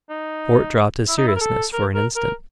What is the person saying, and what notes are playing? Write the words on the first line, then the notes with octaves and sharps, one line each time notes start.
Fort dropped his seriousness for an instant.
D#4
E4
D#4
E4
A#4
A4
A#4
A#4
A#4